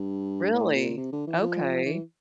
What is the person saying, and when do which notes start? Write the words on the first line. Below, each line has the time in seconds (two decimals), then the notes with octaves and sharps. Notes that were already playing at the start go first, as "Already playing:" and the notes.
Really? Okay.
Already playing: G2
0.53 A2
0.75 A#2
0.97 C3
1.12 D3
1.27 E3
1.41 F3
1.86 E3